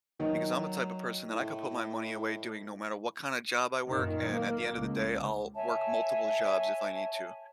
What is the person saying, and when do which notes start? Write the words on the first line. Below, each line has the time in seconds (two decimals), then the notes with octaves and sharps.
because I'm the type of person that I could put my money away doing no matter what kinda job I work, and at the end of the day I'll work multiple jobs if I need to.
0.20 D#3 F#3
1.30 A2
3.87 F#2 A#2 D#3
4.30 A#3
4.76 C#2
5.55 C#5 E5 G#5 A5